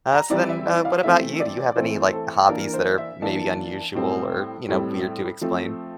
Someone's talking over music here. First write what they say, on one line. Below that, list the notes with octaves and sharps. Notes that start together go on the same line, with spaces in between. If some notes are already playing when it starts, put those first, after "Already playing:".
Uh, so then, uh, what about you? Do you have any, like, hobbies that are maybe unusual or, you know, weird to explain?
A#5
E3 G3 C4 E4 D5
E5
D5
F5
E3 A3 C4 E5
D5
E3 A3 C4 C5
A4
E3 A#3 D4 A#4
C5
E5
E3 A#3 D4 A5
A2 G3 C4
A2 G3 C4
F3 A3 C4